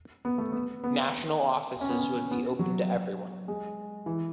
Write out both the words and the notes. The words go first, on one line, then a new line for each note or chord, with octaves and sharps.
National offices would be open to everyone.
B3
A3
B3
B3
C#4
B3
C#4
B3
F#3
G#3
E3